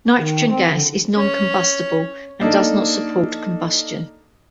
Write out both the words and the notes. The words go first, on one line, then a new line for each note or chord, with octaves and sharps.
Nitrogen gas is non-combustible and does not support combustion.
D#3
C4
D3
C#4 C#5
A#3 D4 D#4 A4